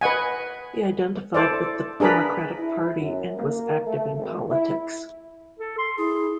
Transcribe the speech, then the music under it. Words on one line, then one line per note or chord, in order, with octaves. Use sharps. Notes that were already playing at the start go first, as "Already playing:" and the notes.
He identified with the Democratic Party, and was active in politics.
B4 D#5 F#5 G#5
E4 A4 C5 D5
D4 G#4 A#4 B4 B5
E4
F#2
A#3
A3
G#1
E4
A4
C6
E4 G#4